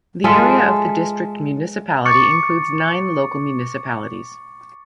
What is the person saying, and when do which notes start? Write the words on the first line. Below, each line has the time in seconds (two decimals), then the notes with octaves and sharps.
The area of the district municipality includes nine local municipalities.
0.24 G#3 F4 A4 E5
2.05 C#6 D6 A6 C#7